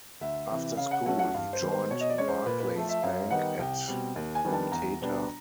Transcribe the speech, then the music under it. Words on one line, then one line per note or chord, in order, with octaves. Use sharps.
After school, he joined Barclays bank at Umtata.
D2 E5
C3 E3
C#3 F5
F#5
F#3 A3 C#4 F#5
F#5
G2 F5
C5
D#3 G3 B3
C5
B2 C#5
D#5
D5
G#3 C#4 C#5
C5
A#2 B4
B4
F3 A3
E5
F#2 F5
D#3 G3 B3 D#4 F#5
C2 G5
B2 G3 C4
D#2
G#5
D#3 G3 B3 D4
A5
E2 A#5
B2 G3 B3 D4